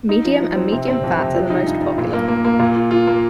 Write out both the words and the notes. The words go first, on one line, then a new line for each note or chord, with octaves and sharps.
Medium and medium-fat are the most popular.
D#4
F3
F3
C4
C3
C4
F2
C3
F3
D#4
G2
G2
A#2
A#3
A#3
A#3
A#2
F4
F4
A#3